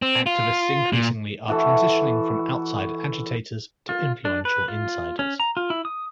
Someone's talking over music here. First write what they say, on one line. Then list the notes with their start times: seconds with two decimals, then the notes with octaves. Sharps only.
Activists increasingly are transitioning from outside agitators to influential insiders.
0.02 C4
0.26 F4
0.93 A#2
1.48 E3 F#4 A4
3.89 F4
4.25 D4
4.45 B4
4.68 F4
5.19 C#4
5.40 A#5
5.57 F4
5.70 E4
5.85 D#6